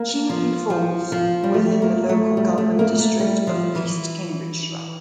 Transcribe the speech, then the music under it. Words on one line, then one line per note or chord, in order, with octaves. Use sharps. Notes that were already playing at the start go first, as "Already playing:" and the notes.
Cheveley falls within the local government district of East Cambridgeshire.
Already playing: A#3
F3
F3
F3
G3
A3
A#3
A3
G3
A3
A#3
A3
G3
F3
E3